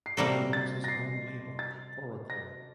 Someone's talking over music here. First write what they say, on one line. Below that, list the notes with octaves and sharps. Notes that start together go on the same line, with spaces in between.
He owns his own label, Auricle.
C7
C3 G3 A#3 F#4 A4 A#6
A6
A#6
C7
A6
A#6